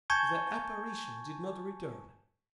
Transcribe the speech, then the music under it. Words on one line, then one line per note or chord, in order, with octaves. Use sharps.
The "apparition" did not return.
G#5 A5 C#6 G6 G#6